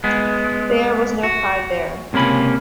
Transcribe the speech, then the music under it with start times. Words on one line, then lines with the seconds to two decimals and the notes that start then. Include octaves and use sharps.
There was no pride there...
0.04 G#3 B3
1.23 F#4
2.13 C#2 C3 A#3 C#4 B5